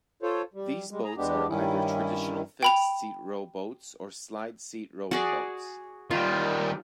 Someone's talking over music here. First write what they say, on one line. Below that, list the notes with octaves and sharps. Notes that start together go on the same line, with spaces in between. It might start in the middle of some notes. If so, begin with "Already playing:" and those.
These boats are either traditional fixed seat row boats or slide seat rowing boats.
F4 A4 C5 C#5
G3
G3 G#3
G#4 A#5
E2 G#3 B3 D4 G4
G2 D#3 G3 C#4 E4
G5 B5 F7
F#4 G#4 D5
D#3 G3 F4